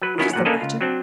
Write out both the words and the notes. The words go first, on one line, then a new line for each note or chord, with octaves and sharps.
What is the matter?
F#3 B4
D#3 F#3 B3 C#4 E4
G2 A#2 F#5
A#3 C#4 D4 A4 B4 D#5
C#2 F4
F#3 C4 D4